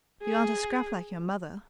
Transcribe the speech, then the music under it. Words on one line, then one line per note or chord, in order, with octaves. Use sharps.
You aren't a scrap like your mother.
G#4